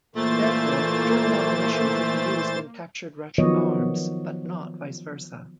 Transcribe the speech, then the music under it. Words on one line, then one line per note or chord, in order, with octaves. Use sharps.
Therefore, German ammunition could be used in captured Russian arms, but not vice versa.
A#2 E3 A3 A#3 C5 A6
D#3 F3 F#3 B3 C#5 D#5